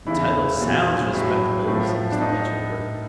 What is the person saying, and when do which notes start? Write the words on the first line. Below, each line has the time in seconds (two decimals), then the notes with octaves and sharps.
"The title sounds respectable," said Mr. Whitechoker.
0.07 E2 C#3 E3 E4
0.61 A#2 F#3
1.13 A2 F#3 E4
1.68 A2 F3
2.12 D4
2.21 A2 D#4